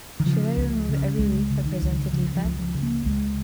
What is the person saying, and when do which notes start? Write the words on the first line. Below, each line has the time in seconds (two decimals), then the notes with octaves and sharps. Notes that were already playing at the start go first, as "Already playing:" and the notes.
Should I remove every leaf that presents a defect?
0.20 D#3
0.26 C#3 F3
0.57 C#2
0.89 C#3
1.19 C#2 G#3
1.51 C#3
1.66 D#3
1.82 C#2
2.12 C#3 F3
2.36 F3
2.44 C#2
2.60 F3
2.75 C#3
2.83 A#3
3.06 C#2 G#3